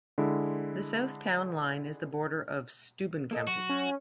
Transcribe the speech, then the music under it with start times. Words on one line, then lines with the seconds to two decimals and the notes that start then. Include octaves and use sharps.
The south town line is the border of Steuben County.
0.18 D3 G#3 E4
3.31 A#3 A4 D#5
3.47 F#3 F#4
3.69 C#4